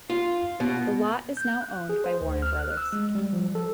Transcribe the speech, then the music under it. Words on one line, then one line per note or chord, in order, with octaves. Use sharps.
The lot is now owned by Warner Brothers.
F4
B2
G6
F#6
G#4
C5
D2
F6
F#6
E6
G#3
G3
F3
A4